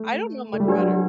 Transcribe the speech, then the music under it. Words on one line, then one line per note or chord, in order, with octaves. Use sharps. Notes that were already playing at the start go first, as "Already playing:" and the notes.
I don't know much about her.
Already playing: A3
A3
G3
F#3 D4 G4 B4 D5